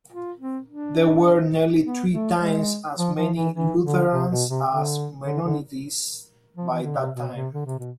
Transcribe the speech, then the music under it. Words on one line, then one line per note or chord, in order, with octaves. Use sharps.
There were nearly three times as many Lutherans as Mennonites by that time.
F4
C4
D4
B3
A3
G#3
F3
F3
E3
E3
D3
C3
B2
C3
D3
D3
D3
F3
E3
D3
C3
B2
C3
D3
C3
B2